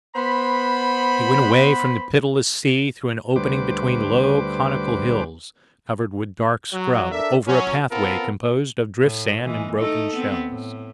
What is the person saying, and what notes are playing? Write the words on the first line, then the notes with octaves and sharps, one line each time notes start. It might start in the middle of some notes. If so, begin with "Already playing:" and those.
He went away from the pitiless sea through an opening between low conical hills, covered with dark scrub, over a pathway composed of drift sand and broken shells.
B3 C5 B5
D2 G3 B4 C5 D6
F#3
D4 A4 A#4 E5
F#3 C#4
B3 C4 F4 A4 A#4
A2
A#2 E3 G#3
A3 D#4 A4
B3 C4
A2